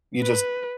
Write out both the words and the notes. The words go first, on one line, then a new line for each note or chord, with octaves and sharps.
you just
B4